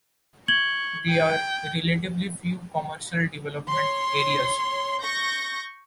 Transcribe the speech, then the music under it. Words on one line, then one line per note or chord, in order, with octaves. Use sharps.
There are relatively few commercial development areas.
C#6 G#6 F#7 G7
G5
C#5 C6
C#6 G6 A#6